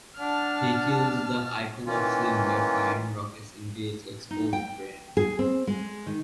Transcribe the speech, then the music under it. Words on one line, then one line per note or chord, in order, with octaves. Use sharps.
He kills the Icon of Sin by firing rockets into its exposed brain.
D4 F#5 A5 F6
D#3 E3 A#3 C#4 F4
D#4
G5
G#4
C4
G#3
D#3